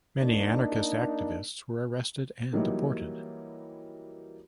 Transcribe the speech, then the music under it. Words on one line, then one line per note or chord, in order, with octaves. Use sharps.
Many anarchist activists were arrested and deported.
A#3 D4 D#4
E3 F#3 G3 A#3 D#4 E4